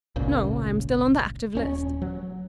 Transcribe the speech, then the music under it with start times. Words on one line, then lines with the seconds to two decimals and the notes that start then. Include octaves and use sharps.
"No, I am still on the active list."
0.16 G#1 C#2 A#2 C#3
1.55 D#1 C#4
2.02 F#3